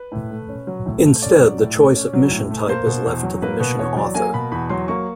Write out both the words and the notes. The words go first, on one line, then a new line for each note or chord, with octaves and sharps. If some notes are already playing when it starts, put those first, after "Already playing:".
Instead, the choice of mission type is left to the mission author.
Already playing: B4
A2
A3
C#4
F#3
A2
A3
C#4 D5
F#3
A2
A3
C#4
F#3
A2
A3
A#3 C5
B2
E2
F#3
A#3 B4
B2 B4
E2 C#5
F#3 D5
A#3 G#5
B2 B5
E2 B5
F#3 C6
A#3 C#6